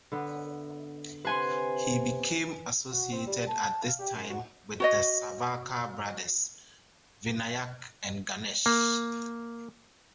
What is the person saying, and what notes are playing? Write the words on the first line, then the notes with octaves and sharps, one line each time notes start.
He became associated at this time with the Savarkar brothers, Vinayak and Ganesh.
D3 B3
C3 B4 C5 F#5 G#5 C6
F#4
C4
G3
A5
F5
G4
F#2
F#4
F#4 C#5 D#5
A#3